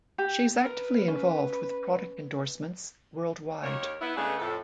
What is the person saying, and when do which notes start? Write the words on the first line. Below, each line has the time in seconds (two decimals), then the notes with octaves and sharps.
She is actively involved with product endorsements worldwide.
0.18 G4
0.65 A#4 B4
1.08 C#4
3.64 D#2 A#4 C#5
4.01 B3 E4
4.16 C#3 G#3 A3 B3 D4 B4
4.38 F2 A2 A4